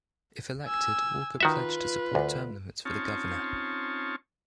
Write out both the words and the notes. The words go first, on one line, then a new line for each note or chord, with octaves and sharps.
If elected Walker pledge to support term limits for the Governor.
G#5 E6
D#3 F4 F#4 B4 E5
D2
C4 C#4 D#4 F4 C#5 A5